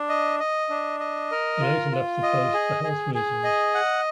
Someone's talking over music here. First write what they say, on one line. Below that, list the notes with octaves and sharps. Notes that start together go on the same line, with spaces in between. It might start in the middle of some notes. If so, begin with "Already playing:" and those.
He later left the post for health reasons.
Already playing: D4
D#5
D#5
D4
D#5
A#4
F4
F4
D#5
G#4
G#4
G#4
D#5
F#5